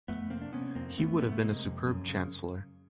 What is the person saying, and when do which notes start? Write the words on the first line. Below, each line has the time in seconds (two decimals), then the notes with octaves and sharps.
He would have been a superb Chancellor.
0.08 F2 A3 B3
0.30 C3 A#3 C4
0.42 D4
0.53 C3 B3 C#4
0.75 F2 A#3 C4
0.98 F2 A3 B3
1.20 C3 A3 B3
1.32 A3
1.42 C3 G#3 A#3
1.64 F2
1.87 F#2
2.09 C#3